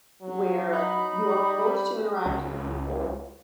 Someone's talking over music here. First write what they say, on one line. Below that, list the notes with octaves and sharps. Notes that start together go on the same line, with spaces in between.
where you are forced to interact with people
F#3
D#4 B5
G3
C#2